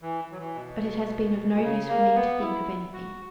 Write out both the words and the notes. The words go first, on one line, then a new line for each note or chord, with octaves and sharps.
But it has been of no use for me to think of anything.
E3
F#3
E3
B2
B2
C#3
A#3
B3
E4
F#4